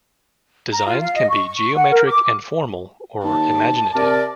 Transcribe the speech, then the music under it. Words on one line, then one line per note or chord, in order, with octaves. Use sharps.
Designs can be geometric and formal or imaginative.
A#5
F4
F5
D#5
C#6
C#6
F#5
A#4
D6
D#2 A5
C3 A#4 D5